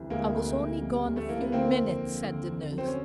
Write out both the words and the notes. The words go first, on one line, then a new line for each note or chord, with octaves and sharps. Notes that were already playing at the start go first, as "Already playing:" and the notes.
"I was only gone a few minutes," said the nurse.
Already playing: D2 C3 E3 G3
D2 G#3 A#3
D2
D2
G3
D2
A3
E3 A#3
B3
D3 A#3 C4
F2
F2
D3
F2
F#3
C4
C#4